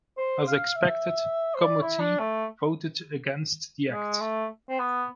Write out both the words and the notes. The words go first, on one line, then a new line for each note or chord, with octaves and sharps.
As expected, Comuzzi voted against the Act.
C5
F5
E5
C5
D5
E4
D4
A3
G#3
A3
C4
B3